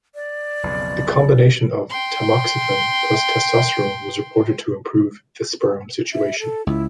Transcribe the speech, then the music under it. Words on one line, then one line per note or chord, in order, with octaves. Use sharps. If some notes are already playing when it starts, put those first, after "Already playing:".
The combination of tamoxifen plus testosterone was reported to improve the sperm situation.
D5
B1 F2 C#3
G5 C6
E5
A4
C#2 E4